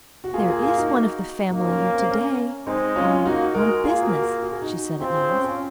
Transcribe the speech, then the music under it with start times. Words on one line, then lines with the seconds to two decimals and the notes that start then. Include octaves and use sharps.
"There is one of the family here to-day on--on business," she said, at last.
0.24 F#4
0.34 A#3 F4 G#4
0.49 F4 G#4
0.63 F4 G#4
0.77 D#4 F#4
1.51 A#3 D#4 F#4
1.65 C#4 F4
1.80 C#4
1.94 C4
2.09 C#4
2.67 G#3 C4 D#4
2.96 C#4 F4
3.14 F4
3.25 A#3 D#4 F#4
3.54 G#3 F#4 A#4
3.84 A#3 F4 G#4
4.03 F#4 A#4
4.23 F4 G#4
4.42 F#4
4.52 G#4
4.62 D#4 F#4
5.00 C4 F4 G#4
5.15 F4 G#4
5.29 C#4
5.44 C#4 F4